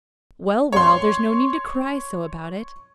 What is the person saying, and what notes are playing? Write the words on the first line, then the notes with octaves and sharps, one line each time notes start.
"Well, well, there's no need to cry so about it."
C#5 C6